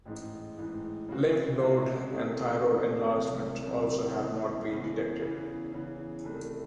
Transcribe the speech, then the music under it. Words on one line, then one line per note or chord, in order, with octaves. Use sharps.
Lymph node and thyroid enlargement also have not been detected.
A1 G#2 E3 G#3
A1 G#2 E3 G#3
C#3 G#3 C4 F#4
C#3 G#3 C4 F#4
E2 C3 D#3 A3
E2 C3 D#3 A3
C2 C3 D#3 F#3 C4
C2 C3 D#3 F#3 C4
E2 C#3 E3
E2 C#3 E3
E2 C#3 E3
E2 C#3 E3
C2 C3 D#3 A3